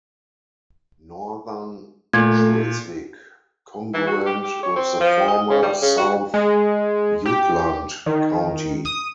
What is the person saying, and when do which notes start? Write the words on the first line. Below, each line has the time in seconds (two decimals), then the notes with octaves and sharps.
Northern Schleswig, congruent with the former South Jutland County.
2.13 A#2 A3 G#6
3.94 E3
4.07 F#4
4.26 G4
4.43 G4
4.63 C#5
4.76 C4
5.00 F3
5.28 D#5
5.50 C#3
5.62 G3
5.82 C#3
5.97 F#4
6.34 G#3
7.25 G4
8.06 D#3
8.85 D#6